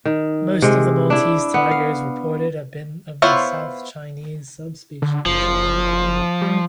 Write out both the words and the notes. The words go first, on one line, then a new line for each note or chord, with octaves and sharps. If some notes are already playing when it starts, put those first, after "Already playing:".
Most of the Maltese tigers reported have been of the South Chinese subspecies.
D#3
C3 G#3
D4 E4
B3
F5
B3 E4 F4 C5 C#5
D3
F#1 F3
G3